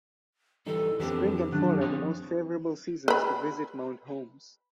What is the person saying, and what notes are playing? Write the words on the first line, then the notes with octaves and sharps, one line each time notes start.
Spring and fall are the most favorable seasons to visit Mount Holmes.
E3 G3 D#4 A4
F2 E3 B3 C4 D4 G4 A4
F#2 D#3 F#3 D4
D3 F3 C4 D#4 B4 C#5
B4 B5